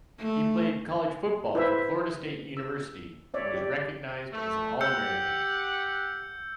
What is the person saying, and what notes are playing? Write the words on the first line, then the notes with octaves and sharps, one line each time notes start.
He played college football for Florida State University, and was recognized as an All-American.
A3
E4 B4 C5 E5
E6
C#5 D5 E5
G4 D5
A3
G4 F#5 E6 G6 C#7